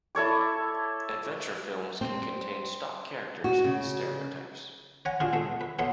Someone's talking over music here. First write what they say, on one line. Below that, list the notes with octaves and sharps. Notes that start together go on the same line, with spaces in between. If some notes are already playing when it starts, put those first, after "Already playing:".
Adventure films can contain stock characters and stereotypes.
E4 A4 C#5 D6
C4
F#4
C#3
C#5 F#5 G#5 A#5
D4 F4 F#4 G#4 A#4
B2 G#3 A3
B4
B2 B3 A4 C#5 E5 C6